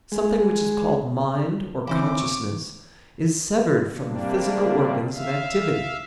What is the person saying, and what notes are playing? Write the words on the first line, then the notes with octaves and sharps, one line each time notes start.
Something which is called mind or consciousness is severed from the physical organs of activity.
G#3
C#3 E3 C4 D6
C#6
C3 G3 A#3 D4
E5 F5